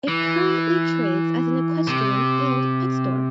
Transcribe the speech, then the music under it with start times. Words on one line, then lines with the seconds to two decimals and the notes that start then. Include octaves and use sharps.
It currently trades as an equestrian and pet store.
0.08 E3
1.87 C3